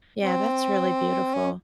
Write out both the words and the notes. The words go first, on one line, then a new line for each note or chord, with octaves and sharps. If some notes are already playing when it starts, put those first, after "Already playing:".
Yeah, that's really beautiful.
C4
C#4